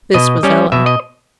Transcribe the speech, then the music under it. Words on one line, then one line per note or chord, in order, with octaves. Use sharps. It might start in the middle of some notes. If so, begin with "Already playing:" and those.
This was Ella.
B2 D#5
G3 C#4
B2 E5
D#5